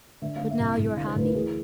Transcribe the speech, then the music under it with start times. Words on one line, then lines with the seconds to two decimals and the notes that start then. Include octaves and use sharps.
"But now you are happy?"
0.22 D3 E5
0.36 F5
0.41 D3
0.50 E5
0.59 C2
0.78 C2
0.97 D3 F5
1.06 C5
1.16 D2 B4
1.25 A#4
1.34 E3 G#4